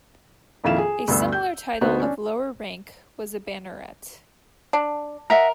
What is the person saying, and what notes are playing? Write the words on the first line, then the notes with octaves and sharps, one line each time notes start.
A similar title of lower rank was banneret.
A#1 F2 D#3 E4 F5 E7
G#4
D2 G2 B3 E6
G6
D2 B3 D#4 F#4 C5
C#4 D4
D4
A#4 D#5 E5 F#5